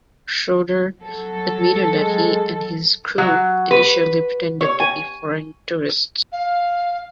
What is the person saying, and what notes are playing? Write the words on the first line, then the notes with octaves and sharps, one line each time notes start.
Schroeder admitted that he and his crew initially pretended to be foreign tourists.
F#3 A4
G#3
F#3
B4
C#5
G#5
F5